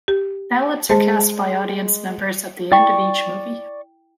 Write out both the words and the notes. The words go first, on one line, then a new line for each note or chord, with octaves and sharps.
Ballots are cast by audience members at the end of each movie.
G4
G#3 C5 A5
E4 D5 G5 C#6